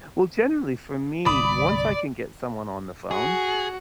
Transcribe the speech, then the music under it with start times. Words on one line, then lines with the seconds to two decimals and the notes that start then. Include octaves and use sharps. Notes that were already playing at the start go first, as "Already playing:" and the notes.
Well, generally, for me, once I can get someone on the phone,
1.26 G1 C2 D5 B5 D#6
3.11 F#4 G#4